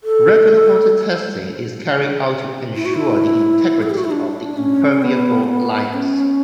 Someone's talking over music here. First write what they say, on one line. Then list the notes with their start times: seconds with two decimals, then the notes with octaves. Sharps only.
Regular water testing is carried out to ensure the integrity of the impermeable liners.
0.04 A4
2.76 E4
2.85 F#4
2.95 E4
3.82 A4
3.90 G4
3.97 F#4
4.04 E4
4.11 D4
4.57 C#4
4.92 C#4
5.03 B3
5.44 A3
5.48 B3
5.93 C#4